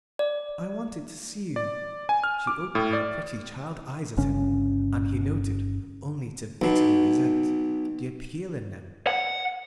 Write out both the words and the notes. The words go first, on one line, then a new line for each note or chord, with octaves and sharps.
"I wanted to see you." She opened her pretty child-eyes at him, and he noted, only to bitterly resent, the appeal in them.
D5
D5
G#5
F6
D6
A2
D5
G1 C#3 C#4
B1 B2
F#5